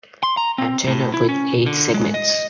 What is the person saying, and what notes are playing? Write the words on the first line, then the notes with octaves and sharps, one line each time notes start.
Antenna with eight segments.
C6
A#5
C4
A2
E4
C#4
D3
G#3
D#5